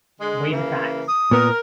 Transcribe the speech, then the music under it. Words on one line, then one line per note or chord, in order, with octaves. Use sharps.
Weigh the facts.
D3 G#3
C#3 E3 A#3
D#6
A#2 B3 A#4